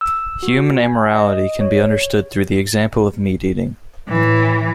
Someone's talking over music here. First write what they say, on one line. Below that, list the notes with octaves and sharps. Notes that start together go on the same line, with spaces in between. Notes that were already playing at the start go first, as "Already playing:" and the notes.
Human amorality can be understood through the example of meat eating.
E6
F#4
G#5
D#5
C#5
A2 E3